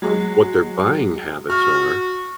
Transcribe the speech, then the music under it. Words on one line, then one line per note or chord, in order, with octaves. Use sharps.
um, what their buying habits are,
F#3 G#3
F#4 F6